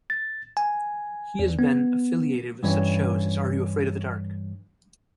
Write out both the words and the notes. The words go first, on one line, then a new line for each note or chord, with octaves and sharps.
He has been affiliated with shows such as Are You Afraid of the Dark?
A6
G#5
E2
B3
G2 E3 C#4